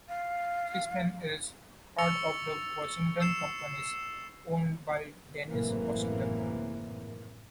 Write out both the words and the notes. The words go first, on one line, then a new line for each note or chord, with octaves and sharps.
Seaspan is part of the Washington Companies, owned by Dennis Washington.
F5
C#6 E6 A6 C#7 F7 G7
E6 C7 E7
G#1 F#2 A2 C3 E3 A#3